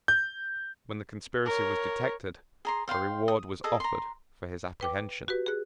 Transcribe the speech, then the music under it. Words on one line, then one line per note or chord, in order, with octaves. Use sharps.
When the conspiracy was detected, a reward was offered for his apprehension.
G6
A#4 C#5
G#4 A#5 C6
C5 F5 G5 C6
D#6
G#4 A4 D#5
A#5 C6
B4 G5 D6
F#4 G4 B4
G#4 F#6